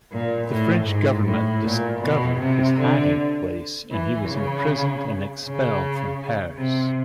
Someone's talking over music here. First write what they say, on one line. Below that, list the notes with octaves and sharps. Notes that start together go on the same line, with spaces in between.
The French government discovered his hiding-place, and he was imprisoned and expelled from Paris.
A#2
A2
G#2
A2
A#2
B2
C3
D3
E3
C#3
C#3
C3